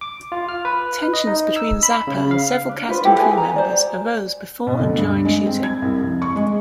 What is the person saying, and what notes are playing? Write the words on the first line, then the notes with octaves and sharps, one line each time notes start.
Tensions between Zappa and several cast and crew members arose before and during shooting.
D6
F4
F6
B4
D#5
D#4
E6
B5
C#3
F5
D4
F4 B4 C5
E4 G4 A4
G#4 A4 B4 G#5
A#5
C5 D5 G#5
B2
D2
G2
G#3
C4
G#6
C2
F2
C#6
G#3